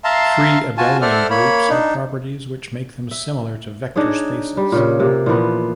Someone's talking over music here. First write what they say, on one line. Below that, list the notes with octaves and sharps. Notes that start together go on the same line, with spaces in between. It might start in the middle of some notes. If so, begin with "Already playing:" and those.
Free abelian groups have properties which make them similar to vector spaces.
E5 F5 A5 A#5 C6
F4 F#4 G#5 A5
A4 C5 D5 E5 F#5 F6
A#3 C#5 B5
D4 D#4
E5
D4 D#4 G#4 C#5
G3
A#2 C#3
C3 A#3
A#2 E3 F3 B3